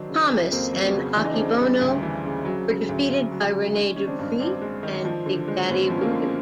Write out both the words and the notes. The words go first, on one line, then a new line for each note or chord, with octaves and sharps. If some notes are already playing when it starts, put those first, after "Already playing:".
Thomas and Akebono were defeated by Rene Dupree and Big Daddy Voodoo.
Already playing: D#3 F#3 C4 D4
C#3
F2
F2 A#3 C4
F#3
B3 C#4
C#3
E3 D4
D#4
C#3 C4 D4
G3
D2
E3
C#3
F#3
C#3
D2
D2
F#3
C#3
G#3 C#4 D#4
D#3 C#4
C4 D4
G2
G2 C4 D4
G#3
D#3
F3
D3
G#3
F#2 B3 C#4
F3
C#4
A#3 C4
D3